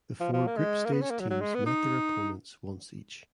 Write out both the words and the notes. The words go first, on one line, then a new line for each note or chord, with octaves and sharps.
The four group stage teams met their opponents once each.
F3
F3
A#3
G#3
A#3
B3
C#4
A#3
F#3
F#3
G#3
B3
D#4